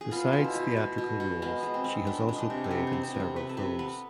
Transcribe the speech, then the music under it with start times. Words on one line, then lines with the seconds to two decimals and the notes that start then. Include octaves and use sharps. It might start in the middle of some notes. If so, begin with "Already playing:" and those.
Besides theatrical roles she has also played in several films.
0.01 G#4
0.11 B3 F4
0.33 B2
0.44 E4
0.55 B2
0.77 B2
0.98 B2
1.20 B2
1.42 G#3 B3
1.63 G#3
1.74 C4
1.84 B3
2.07 B3 D4
2.29 G#3
2.38 D4
2.50 C3
2.64 C4
2.71 C3 B3
2.87 C4
2.93 B3
3.03 C4
3.14 C3
3.20 C4
3.36 C3 B4
3.49 A4
3.57 C3 B4
3.79 B3 B4